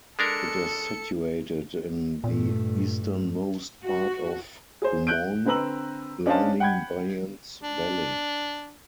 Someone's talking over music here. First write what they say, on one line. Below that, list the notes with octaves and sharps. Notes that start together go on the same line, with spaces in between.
It is situated in the easternmost part of Kumaun, lining Byans Valley.
G#3 D4 A4 A#4 C#7
G2 A#2 A3
F#4
G#4 C5
F#6 G6 D7
D3 C4 B4 A#5 E6 F#7
C#4 D4 C5 D#5 F5 A5
F#5 G5 B5 G6 G#6
D4